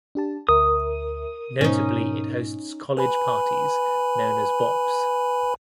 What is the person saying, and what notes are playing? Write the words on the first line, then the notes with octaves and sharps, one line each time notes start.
Notably it hosts college parties known as bops.
D4 G4 A5
D2 A#4 E5 D#6
G#2 B2 C#4 D#4
B4 G#5 B5